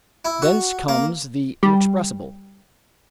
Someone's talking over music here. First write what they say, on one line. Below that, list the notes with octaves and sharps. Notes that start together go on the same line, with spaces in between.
Thence comes the inexpressible.
E4
F#4
A#3
G3